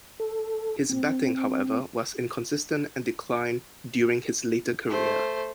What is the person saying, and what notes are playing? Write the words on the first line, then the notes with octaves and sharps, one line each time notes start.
His batting however was inconsistent and declined during his later career.
A4
C4
A3 C5